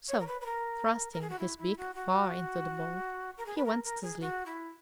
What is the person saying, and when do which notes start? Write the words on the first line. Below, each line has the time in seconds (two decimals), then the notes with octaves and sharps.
So thrusting his beak far into the ball, he went to sleep.
0.08 C#5
0.20 A#4
0.27 B4
0.41 B4
0.46 A#4
1.13 A#4
1.21 G#4
1.30 F#4
1.39 E4
1.58 E4
1.77 F#4
1.95 F#4
3.38 A#4
3.46 G#4
3.57 B4
3.65 A#4
3.84 A#4
4.02 G#4
4.21 F#4
4.46 E4